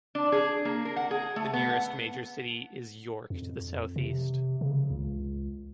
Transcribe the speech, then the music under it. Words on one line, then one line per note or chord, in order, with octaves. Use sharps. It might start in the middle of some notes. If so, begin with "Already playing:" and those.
The nearest major city is York, to the south-east.
D4
G#4
A#3
A#4
F#5
G#4
A3
B3
F#5
F2
C3
C#3
C#2